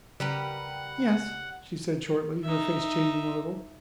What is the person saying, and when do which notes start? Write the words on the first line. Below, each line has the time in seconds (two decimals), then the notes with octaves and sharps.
"Yes," she said shortly, her face changing a little.
0.20 C#3 G3 G4 A#4 B4 F#5
2.44 D#4 E5